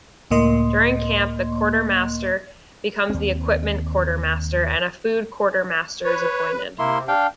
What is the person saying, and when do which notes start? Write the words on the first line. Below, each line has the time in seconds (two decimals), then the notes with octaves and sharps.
During camp, the quartermaster becomes the equipment quartermaster, and a food quartermaster is appointed.
0.31 C#2 A2 A#3 D#5 C6
3.10 D#2 C4
6.04 B4 C#5
6.79 C3 A#3 E4 C6
7.08 D4 F5 G5